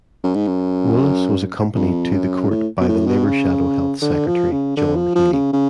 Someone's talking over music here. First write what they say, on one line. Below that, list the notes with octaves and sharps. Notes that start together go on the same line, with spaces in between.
Woolas was accompanied to court by the Labour Shadow Health Secretary John Healey.
F#2
G#2
F#2
F2
F#2
A2
B2
A2
B2
C#3
D3
F3
C#3
D3
F3
F3
C#3
C#3